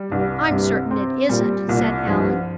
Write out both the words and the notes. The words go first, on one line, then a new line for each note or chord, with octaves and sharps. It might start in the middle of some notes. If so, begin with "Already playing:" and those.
"I'm certain it isn't," said Allan.
Already playing: G3
C2 G2
G2 C3
C4
A#2 G3
C2 A#2
G2 F3